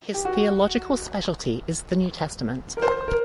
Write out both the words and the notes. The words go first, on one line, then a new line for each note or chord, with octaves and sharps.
His theological specialty is the New Testament.
G4
F#4
A#4
C5
A#4